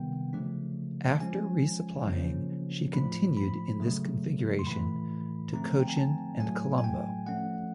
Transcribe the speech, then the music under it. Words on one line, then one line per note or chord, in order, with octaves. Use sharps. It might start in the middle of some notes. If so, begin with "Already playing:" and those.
After resupplying she continued in this configuration to Cochin and Colombo.
Already playing: C3 D#3 G3 B3 G5
C#3 F3 A3 D4
F3 G#3 C#4 G#5
C#3 F3 A#3 C#4
A2 F3 A3 D4 B5
B5
C#3 F#3 A3
C6
A2 E3 A3 B5
D3 F3 A3 C4 A#5
G5
G#5
A5
A2 F#3 A3 G#5
G#5
G5
F3 A3 C#4 F#5